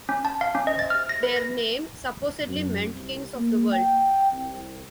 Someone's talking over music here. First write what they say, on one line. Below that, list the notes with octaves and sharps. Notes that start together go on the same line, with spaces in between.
Their name supposedly meant "kings of the world".
C#4
A5
F5
C#4
D#5
A6
F6
A#6
B4
A#6
F#2
C2
A#3
G5
C2